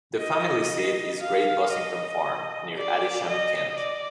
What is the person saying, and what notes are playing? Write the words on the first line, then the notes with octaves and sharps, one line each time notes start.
The family seat is Great Bossington Farm, near Adisham, Kent.
D#5
F5
D#5
D5
D#5
D5